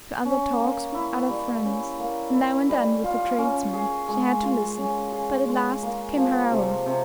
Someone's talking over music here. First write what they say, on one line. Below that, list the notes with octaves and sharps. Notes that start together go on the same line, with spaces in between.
To other talks with other friends, and now and then with a tradesman, she had to listen; but at last came her hour.
C#4
A#3
E4
G3
C#4
A#3
E4
G3
F4
C#4
G#4
G#3
F4
C#4
G#4
G#3
A#3
F3
C3
C3